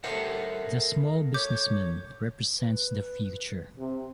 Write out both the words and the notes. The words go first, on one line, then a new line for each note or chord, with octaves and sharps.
The "Small Businessman" represents the future.
D2 G4 A#4 C5 E5 F#5
C#5 D6 G6
B4
C3 C4